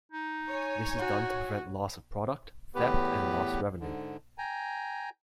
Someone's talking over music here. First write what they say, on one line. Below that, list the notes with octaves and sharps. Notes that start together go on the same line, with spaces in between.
This is done to prevent loss of product, theft and lost revenue.
D#4
C#5 G#5
F#4
E2 A2 B3 G4 B4
G#2 D3
G5 G#5 A#5